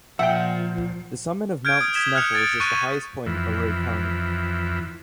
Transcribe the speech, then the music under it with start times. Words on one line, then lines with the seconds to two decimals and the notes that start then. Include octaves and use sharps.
The summit of Mount Sneffels is the highest point in Ouray County.
0.19 A#2 F3 E5 F#5 G5
1.65 F6 G6 G#6 D7
1.77 D#6 G6
1.94 D#6 G#6 B6 E7 G7
2.15 F6 F#6 G#6 C#7 F7
2.33 F6 G#6 A6 D7
2.60 C#6 F#6 A6 D#7
3.26 F2 E3